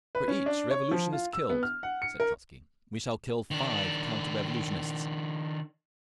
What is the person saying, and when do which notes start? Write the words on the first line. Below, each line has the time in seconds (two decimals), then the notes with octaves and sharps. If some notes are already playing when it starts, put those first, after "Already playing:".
"For each revolutionist killed," said Trotzky, "we shall kill five counter-revolutionists!"
0.15 B4
0.28 C#4
0.46 D4
0.71 C#5
0.91 F3
1.13 F4
1.33 E6
1.50 B3
1.63 F6
1.83 F#5
2.02 C#7
2.20 A#4
3.51 D#3 D4